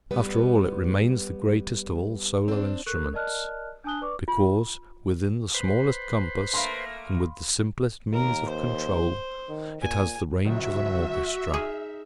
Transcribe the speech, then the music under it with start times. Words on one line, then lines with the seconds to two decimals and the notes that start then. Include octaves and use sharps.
After all, it remains the greatest of all solo instruments, because, within the smallest compass and with the simplest means of control, it has the range of an orchestra.
0.11 G3 B3 B4
2.48 C4 D4
2.86 A4 A#4 C#6 F#6
3.13 A#4 D5 D#5 A5 F6 F#6
3.84 D4 G#5 A5 D#6 F#6 G7
4.01 B4 D5 C#6 D6
4.28 F4
5.54 B4 C5
6.54 A3 A#3 F5 B5 C6
8.13 D#2 A#4
8.49 C5
9.49 D#3
9.81 A#2 G#5
10.45 D1 C#2 F#3 F#4 E5
11.54 D#4 G#4 F6